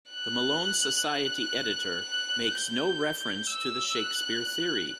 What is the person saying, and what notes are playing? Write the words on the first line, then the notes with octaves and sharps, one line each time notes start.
The Malone Society editor makes no reference to the Shakespeare theory.
F#6
F#6
F#6
G6
E6
F#6